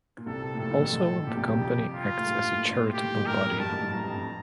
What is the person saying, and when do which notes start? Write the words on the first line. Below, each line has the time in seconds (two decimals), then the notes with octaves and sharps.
Also, the Company acts as a charitable body.
0.18 A#2
0.26 C2 C3 A4
0.54 A2
0.59 A#1 A#2 A4
0.71 A#1 A#2
0.82 A1 A2
0.93 A1 A2
1.26 A#1 A#2 G4
1.37 C2 C3
1.49 G2
1.59 F2
1.93 F4
2.18 A2
2.26 G2
2.43 A2
2.51 A#2
2.58 A2
2.66 A#2
2.73 A2
2.81 A#2
2.88 A2
2.93 A#2 G4
3.02 A2
3.10 A#2
3.18 A1 A2
3.26 G2 A#4
3.43 F2
3.59 G2 A5
3.70 A1 A2
3.82 G2
3.93 G2 A#5
4.04 F2
4.15 F2